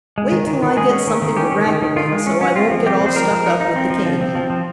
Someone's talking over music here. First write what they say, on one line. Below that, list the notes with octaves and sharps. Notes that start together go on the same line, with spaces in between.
"Wait till I get something to wrap him in so I won't get all stuck up with the candy."
G#3
D#3
D#3
D#3
G#3 G#4
C#4
D#3
D#3
C#4 G4
D#3
D#3
D#3
D#3 F4
G#3
C#4
C#4
C4 F4
F3
C4 G4
F3
C5
F3 A#4
F3
D#4
D#4
C4
F3
F3
C4
F3
F3